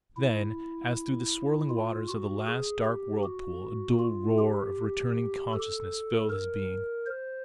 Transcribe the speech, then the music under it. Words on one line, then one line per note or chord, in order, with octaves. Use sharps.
Then, as through the swirling waters of the last dark whirlpool, a dulled roar of returning consciousness filled his being.
E4
F4
F#4
G#4
G4
F#4
F4
G4
A4
A#4
C5